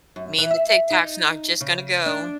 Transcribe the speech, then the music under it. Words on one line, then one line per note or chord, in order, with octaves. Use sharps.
mean the TikTok's not just gonna go.
F#2
E3
E5
D#4
C#3
D4